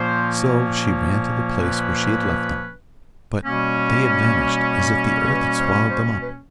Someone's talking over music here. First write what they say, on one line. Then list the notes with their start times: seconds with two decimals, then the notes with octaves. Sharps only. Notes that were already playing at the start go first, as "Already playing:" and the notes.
So she ran to the place where she had left them, but they had vanished as if the earth had swallowed them up.
Already playing: A#2 F3 A#3 C#4 C5
1.59 B4
3.44 B2 G3 A#3 C#4
5.29 B4
5.59 C5
5.90 C5
6.21 B4